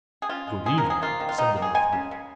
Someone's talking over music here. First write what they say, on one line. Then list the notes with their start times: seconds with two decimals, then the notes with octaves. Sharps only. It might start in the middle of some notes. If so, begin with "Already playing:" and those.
'Good evening!' said the North Wind.
0.22 G#4
0.29 C#3 F4
0.47 G#3
0.66 C#3 G#4
0.78 A#4
0.84 F3
0.90 G#4
1.02 A#3 F4
1.20 D#3
1.29 F4
1.38 D#3 D#4
1.57 A#3
1.62 G#4
1.74 G#3 G#5
1.92 C#3
2.11 C#3